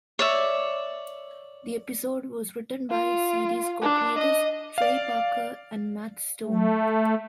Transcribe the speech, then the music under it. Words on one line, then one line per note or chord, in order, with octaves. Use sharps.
The episode was written by series co-creators Trey Parker and Matt Stone.
C#5 D5 E5
F4
D4
D#5
D5 F5
A3